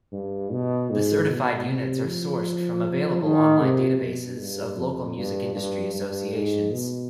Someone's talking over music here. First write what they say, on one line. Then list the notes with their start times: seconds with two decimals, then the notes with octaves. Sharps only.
The certified units are sourced from available online databases of local music industry associations.
0.12 G2
0.52 B2
0.90 G#2
1.30 B2
1.69 C3
2.06 F3
3.23 D#3
3.62 C3
4.01 B2
4.40 G2
4.78 F2
5.17 G2
5.56 G2
5.94 G2
6.34 G#2
6.73 B2